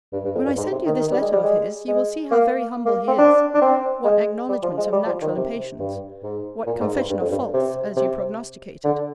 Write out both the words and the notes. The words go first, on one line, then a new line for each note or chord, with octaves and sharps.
When I send you this letter of his, you will see how very humble he is: what acknowledgements of natural impatience: what confession of faults, as you prognosticated.
G2
G2
F2
G2
G#2
C3
D#3
D#3
G3
G#3
G3
G#3
G#3
A#3
A#3
C4
D4
D4
C4
G#3
G3
F3
G#3
G3
F3
D#3
C3
G2
G#2
A#2
G#2
G2
G2
F2
G2
C3
C3
D3